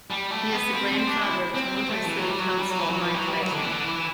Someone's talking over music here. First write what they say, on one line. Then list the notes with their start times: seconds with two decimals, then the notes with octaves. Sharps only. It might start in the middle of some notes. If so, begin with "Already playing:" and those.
He is the grandfather of Toronto City Councillor Mike Layton.
0.10 G3
0.31 A3
0.52 B3
0.73 C4
0.93 C4
1.07 D4
1.21 E4
1.55 C4
1.77 C4
1.90 A3
2.04 E3
2.18 F#3
2.29 G3
2.39 F#3
2.58 G3
2.70 F#3
2.79 E3
2.90 F#3
3.00 E3
3.14 F#3
3.28 G3
3.42 F#3
3.52 D3
3.63 E3
3.73 D3
3.83 E3